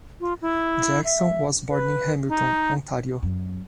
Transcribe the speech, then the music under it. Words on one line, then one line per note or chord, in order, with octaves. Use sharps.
Jackson was born in Hamilton, Ontario.
F4
E4
E5
B4
D#4
F#2